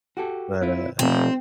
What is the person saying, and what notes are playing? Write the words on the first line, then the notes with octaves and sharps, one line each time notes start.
But, uh,
F#4 G4 A4
C4 E4 F4
F1 B2 F3 A3 C4